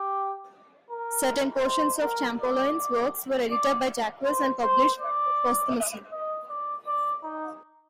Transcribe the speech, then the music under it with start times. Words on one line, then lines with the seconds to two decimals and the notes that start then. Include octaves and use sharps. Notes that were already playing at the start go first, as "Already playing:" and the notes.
Certain portions of Champollion's works were edited by Jacques and published posthumously.
Already playing: G4
0.90 A#4
1.65 C5
2.03 A#4
2.39 D5
3.51 D5
4.25 C5
4.63 C5
5.00 D5
6.12 D#5
6.49 D5
6.86 D5
7.23 D#4